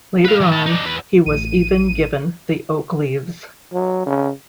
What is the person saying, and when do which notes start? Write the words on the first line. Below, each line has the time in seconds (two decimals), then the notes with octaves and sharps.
Later on he was even given the Oak Leaves.
0.25 B4 F5
0.40 E3 F#3
0.52 E4 A4
0.66 D4 D#4
0.85 E2 B4
1.26 A1 D#7
3.73 F#3
4.06 C#3